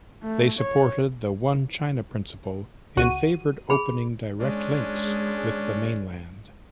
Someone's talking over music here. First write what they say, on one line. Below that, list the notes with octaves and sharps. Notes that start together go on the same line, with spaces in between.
They supported the One-China Principle and favored opening direct links with the mainland.
A3
C#5
C#2 F#4 D#7
G#4 B5
G#3 C#4 D4